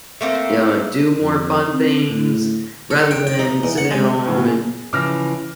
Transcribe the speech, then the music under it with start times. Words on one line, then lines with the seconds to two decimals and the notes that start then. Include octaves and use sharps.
you know, do more fun things rather than sit at home, and
0.21 A3 A#3 C4
1.20 F2
1.73 C4
2.09 A2
2.91 A4
3.11 G5
3.27 G5
3.39 D#4
3.63 E2
3.78 F#5
3.91 G#3
4.25 A2 C#3 F#3
4.45 G#4
4.93 C#3 E3 F3 D6 F6 A#6